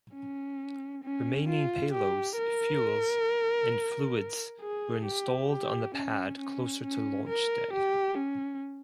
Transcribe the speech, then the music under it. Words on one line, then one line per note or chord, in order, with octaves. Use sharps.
Remaining payloads, fuels and fluids were installed on the pad closer to launch day.
C#4
C#4
F4
G4
A#4
G#4
G4
G4
C#4
C#4
C#4
A#4
G4
C#4